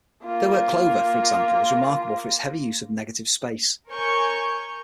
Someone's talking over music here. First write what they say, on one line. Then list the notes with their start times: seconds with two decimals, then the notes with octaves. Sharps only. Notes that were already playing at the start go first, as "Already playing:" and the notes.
Their work "Clover" for example, is remarkable for its heavy use of negative space.
0.24 A#3 F4
3.89 A#4 C#5 G#5 C#6 G6